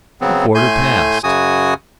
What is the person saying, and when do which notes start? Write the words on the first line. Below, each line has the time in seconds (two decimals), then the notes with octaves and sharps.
A quarter past.
0.21 C#3 F#3 B3 C4
0.55 A2 A3 G#5 C6 G6
1.24 F#2 C#3 F#4 G#5 D#6